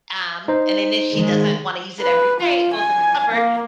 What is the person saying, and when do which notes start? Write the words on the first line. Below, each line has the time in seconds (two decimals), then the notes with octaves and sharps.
Um, and then if she doesn't wanna use it every day, it goes in the cupboard
0.48 D#4 C5
1.13 D#3 G#3
2.01 B4
2.40 F4
2.74 G#5
3.32 A#3